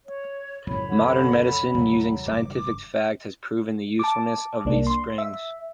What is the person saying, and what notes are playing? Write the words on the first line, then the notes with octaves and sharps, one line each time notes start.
Modern medicine using scientific fact has proven the usefulness of these springs.
C#5
C#2 F#2 A2 F#3 C#5 B5
D3
D#2 C3 F#3 G3
E1 G2 C#3 D6
A5 D6
C2 A#3 D4
C6
E5